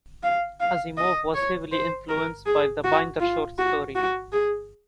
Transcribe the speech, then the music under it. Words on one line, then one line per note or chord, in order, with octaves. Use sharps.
Asimov was heavily influenced by the Binder short story.
F5
F5
D#5
C#5
C5
A#4
G#4
F#4
F4
F#4
F#4
G#4